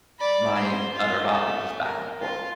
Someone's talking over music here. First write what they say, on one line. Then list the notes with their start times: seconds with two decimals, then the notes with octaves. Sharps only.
my other hobbies, just back and forth.
0.19 D5 B5
0.55 C5
0.94 F4
1.28 A3
1.85 A#4
2.20 F4